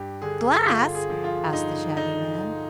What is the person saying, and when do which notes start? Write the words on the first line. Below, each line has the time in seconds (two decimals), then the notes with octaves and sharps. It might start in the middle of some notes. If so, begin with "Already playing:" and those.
"Glass?" asked the Shaggy Man.
Already playing: G2 G4
0.22 D3 G#4
0.65 D3 F4
0.95 G#4
1.09 F3
1.24 F4
1.53 G2 D#4
1.97 D3 D#4